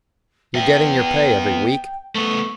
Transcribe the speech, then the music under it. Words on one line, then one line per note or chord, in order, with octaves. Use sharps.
You're getting your pay every week.
B3 E5 G5
A3 B3 C#6